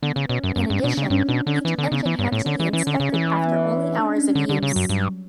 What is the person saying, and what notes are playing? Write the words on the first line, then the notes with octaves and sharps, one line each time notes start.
In addition, each engine had to be inspected after only hours of use.
D3 B3
C#3
B2 C#4
F#2
B3
F#2 C#4
G2
B2 D4
C#3
G2 C#4
B2 D4
D3 C#4
E3 B3
D3
C#3 B3
E3
G2 C#4
A2
D3 C#4
E3
E3 C#4
D3
C#4
C#3
E3 C#4
C#4
B3
D4
C#4
D4
C#4
D3
D3 G3
C#3
F#2 F#3
G2